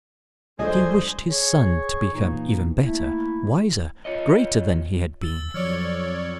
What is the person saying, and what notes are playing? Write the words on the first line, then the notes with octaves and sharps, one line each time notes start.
But he wished his son to become even better, wiser, greater than he had been.
C2 F3 G#3 A3 D4 C5 D#5 G#5
G#4 C#5
A#2 E3 A#3 D#4
A3 A#3 E4
F4 C#5 D#5
E6 A6 G7
F2 F3 F#3 C#5 D5 F6 C#7